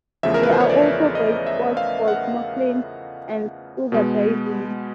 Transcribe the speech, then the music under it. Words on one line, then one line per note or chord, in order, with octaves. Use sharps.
There are also great spots for snorkelling and scuba diving.
E2 C#3 F3 A3 E5
A#4
B4
C5
C#5
D5
D#5
E5
F5
F#5
B2 G#3 B3